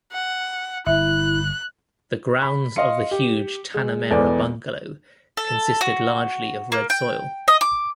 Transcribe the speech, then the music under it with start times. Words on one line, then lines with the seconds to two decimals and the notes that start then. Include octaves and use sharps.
The grounds of the huge Tanamera bungalow consisted largely of red soil.
0.12 F#5
0.86 G1 E4 E5 F#6
2.42 B5
2.76 D#5 F5 C6 C#7
3.11 G4
3.74 G#3
4.10 E1 E2 B3 A4 D5
5.37 A4
5.81 F#4
6.72 A#3
6.90 G5
7.48 D#5
7.61 D6